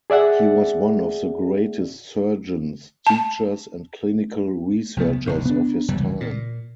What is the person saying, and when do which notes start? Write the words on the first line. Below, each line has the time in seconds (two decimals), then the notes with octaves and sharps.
He was one of the greatest surgeons, teachers and clinical researchers of his time.
0.10 G#4 D5 E5 F#5
3.07 A5
4.97 C2 F3 A3 B3
5.26 F1 D2 G#2
5.45 B3 D4
5.88 F1 C#2 E3 G3
6.20 A#2